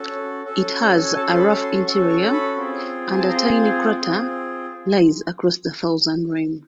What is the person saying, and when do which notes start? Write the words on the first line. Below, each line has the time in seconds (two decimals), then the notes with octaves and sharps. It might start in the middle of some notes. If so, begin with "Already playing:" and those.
It has a rough interior and a tiny crater lies across the southern rim.
Already playing: C#4 F#4 A4
0.45 C#4 F#4 A4
1.04 G#5
1.15 C#4 F#4 A4 A5
1.27 C6
1.39 B5
1.62 C6
1.86 C#4 F#4 A4 C#6
2.10 C#6
2.33 B5
2.57 C4 F4 G#4
3.11 G#5
3.19 A5
3.27 C4 F4 G#4 A#5
3.63 F5
3.81 F#5
3.98 C4 F4 G#4